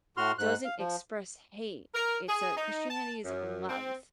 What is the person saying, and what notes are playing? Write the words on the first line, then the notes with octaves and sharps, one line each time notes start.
doesn't express hate. It's a Christianity is of love.
A2 F#4 C6 F6
G#2 F#6
F5
F3
A#4
G#4
D#4
A5
F#2
C4